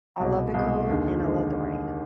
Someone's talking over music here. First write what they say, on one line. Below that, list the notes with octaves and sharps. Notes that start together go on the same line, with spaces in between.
I love the cold, and I love the rain.
C2 B2 G#3
C2 B2 G#3
D#2 D3 G#3
D#2 D3 G#3